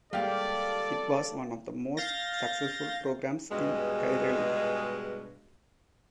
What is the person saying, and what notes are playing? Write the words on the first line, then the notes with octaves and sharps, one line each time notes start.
It was one of the most successful programs in Kairali.
G3 G#3 A#3 F4 G4 A4 D5 F5
F5 G6 A6 A#6
G2 B2 G#3